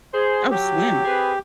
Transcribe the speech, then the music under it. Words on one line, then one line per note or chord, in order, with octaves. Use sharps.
Oh, swim.
G#4 C5
F#3 G4
C4 G#4 B4